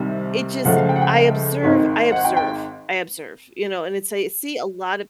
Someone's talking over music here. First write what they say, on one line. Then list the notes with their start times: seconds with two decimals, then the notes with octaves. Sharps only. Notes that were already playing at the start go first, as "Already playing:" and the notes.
it just I observe, I observe, I observe, you know? And it's I see a lot of
Already playing: C2 C3 D#3 G3
0.65 C#2 C#3 F3 A3 F#5
0.76 F5
0.89 G5
0.96 F#5
1.02 G5
1.63 G#1 G#2 D#3
2.12 F#5
2.24 G5
2.37 G5